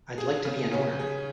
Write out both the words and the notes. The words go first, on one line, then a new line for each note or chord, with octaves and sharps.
I'd like to be an owner.
G#4
C#3
C#4
G#4